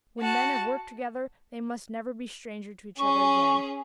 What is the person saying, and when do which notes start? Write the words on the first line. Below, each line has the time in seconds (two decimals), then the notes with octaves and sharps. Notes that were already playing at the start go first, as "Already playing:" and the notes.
When men have worked together, they must never be stranger to each other again.
0.20 F#4 A5
2.98 C#4 G#4 C#6